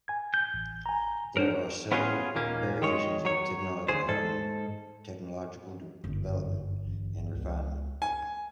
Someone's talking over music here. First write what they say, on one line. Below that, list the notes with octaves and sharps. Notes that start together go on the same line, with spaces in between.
There are several variations of the technology offering technological development and refinement.
G#5 G#6
G6
A1
G#5 A#5
D4 A#4 C5 C#5 F#5
B3 C#4 F4 F#4 G#4
D#2 A#2 A#3 C#4
D#3 G#3 C#5
F#3 C#5
D2 G#4 C5
G#2 A4
G1 F#2
A1
C#2
G#5